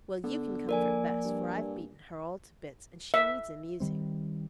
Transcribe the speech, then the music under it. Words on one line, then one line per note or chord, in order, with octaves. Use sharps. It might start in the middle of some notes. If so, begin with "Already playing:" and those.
'Well, you can comfort Bess, for I've beaten her all to bits and she needs amusing.
D3 B3
F3 A#3 A#4 D5 G#5
G2
E5
D#3 G3 C4